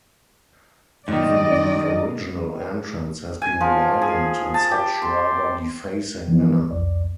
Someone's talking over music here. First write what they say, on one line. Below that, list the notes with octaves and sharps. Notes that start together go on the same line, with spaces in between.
Even the original entrance has been widened in such rather defacing manner.
F#2 D#3 D5 D#5
G#5
F3
G#4
A5
G4
C6
E3 F3 B3 E4
C2 F2 D5